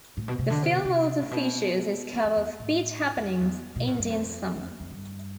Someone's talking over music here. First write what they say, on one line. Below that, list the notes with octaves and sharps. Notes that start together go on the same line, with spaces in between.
The film also features his cover of Beat Happening's "Indian Summer".
A2
B2
C3
D3
C3
B2
C3
A2
B2
E2
F2
E2
A2
F2
E2
B2
A2
G2
F2
F2
F2
G2